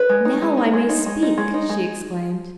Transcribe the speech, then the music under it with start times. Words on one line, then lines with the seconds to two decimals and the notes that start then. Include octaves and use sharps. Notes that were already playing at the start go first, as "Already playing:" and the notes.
"Now I may speak!" she exclaimed.
Already playing: B4
0.09 G#3
0.25 D#4
0.42 G#3
0.57 D#4
0.73 G#3
0.89 D#4
1.06 G#3
1.22 D#4
1.38 G#3
1.54 D#4
1.69 G#3